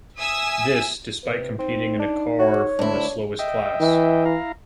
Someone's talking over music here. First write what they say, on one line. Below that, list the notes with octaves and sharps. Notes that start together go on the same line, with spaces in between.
This, despite competing in a car from the slowest class.
E5 G#5 D#6 E6
C3 B4
C4 D#4
D4
F#4 C#5
D2 D4 E4
D#5 E5 G5
E3
E4 F5 A#5